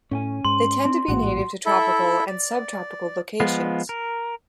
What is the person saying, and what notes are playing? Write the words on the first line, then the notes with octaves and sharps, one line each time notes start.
They tend to be native to tropical and sub-tropical locations.
A2 C#4 G5 G#5
G#2 C6
C4 D4
A1 G#2 A#3 F#4 F#5
E4 A4 E5
D5
F3 G#3 B3 F4
A#4